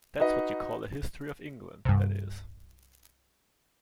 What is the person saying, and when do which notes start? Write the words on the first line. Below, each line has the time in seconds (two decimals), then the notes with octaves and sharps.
That’s what you call a History of England, that is.
0.20 D#4 F#4 B4 D#5
1.85 C2 G2